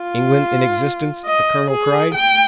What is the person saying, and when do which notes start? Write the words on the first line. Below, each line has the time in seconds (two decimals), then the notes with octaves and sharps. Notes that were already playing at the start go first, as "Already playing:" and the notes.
"England in existence?" the colonel cried.
Already playing: F4
1.26 D#5
1.70 G#4
2.14 G5